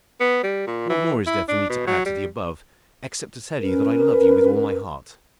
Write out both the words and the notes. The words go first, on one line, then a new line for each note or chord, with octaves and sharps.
What more is there for me to add to the above except to tell you that I love you with all my heart.
B3
G3
A#2
E3
E4
D4
B2
F#3
G3
C#4 A#4 B4